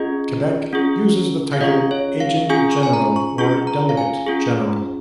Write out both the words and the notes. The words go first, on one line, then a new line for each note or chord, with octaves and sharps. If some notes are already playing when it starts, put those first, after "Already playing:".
Quebec uses the title Agent-General or Delegate-General.
Already playing: C#4 F4 G#4 D#5
C#4 F4 G#4
F5
C#4 F4 G#4 D#5
C#5
F5
C#4 F4 G#4 G#5
C#6
G#5
A#5
C#6
C#4 F4 G#4 C#6
A#5
F5
G#5
C#4 F4 G#4